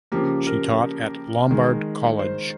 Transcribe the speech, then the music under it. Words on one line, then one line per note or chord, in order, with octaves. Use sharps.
She taught at Lombard Collage.
C#3 F3 A#3 G4
A#4
D#3 G#3
C5